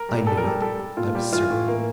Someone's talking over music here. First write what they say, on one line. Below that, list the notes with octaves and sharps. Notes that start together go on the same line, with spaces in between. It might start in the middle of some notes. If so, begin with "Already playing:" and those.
I knew it, I was certain.
Already playing: A#4
G3
G3 A4
A#4
G3 A4
G3 A4
G3
A#2 F4
G3
E3 F4
A2
E3 A#3